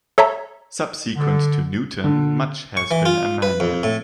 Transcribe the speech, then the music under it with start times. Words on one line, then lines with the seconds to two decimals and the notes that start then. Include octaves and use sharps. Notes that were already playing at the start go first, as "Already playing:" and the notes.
Subsequent to Newton, much has been amended.
0.18 A4 C#5 E5 A5 A#5
1.15 D3
2.04 D3
2.77 C#6
2.91 E3
3.05 F4
3.42 B4
3.60 F2
3.83 A2